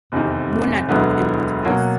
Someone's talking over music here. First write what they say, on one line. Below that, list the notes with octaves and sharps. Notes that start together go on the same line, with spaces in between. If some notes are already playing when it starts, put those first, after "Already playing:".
Monadnock and Mount Grace.
F1 E2 C3 D#3
E1 D2 D3 F#3 B3
B2 F#3 A#3 C#4 F#4